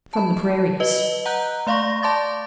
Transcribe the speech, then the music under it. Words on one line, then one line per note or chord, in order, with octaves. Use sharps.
From the prairies.
A5 B5
B4 D#5 G7
F#5 A#5 F#6 G6
A3 D5 F5 C6 C#6 A#6
D5 A5 C6 D6 A6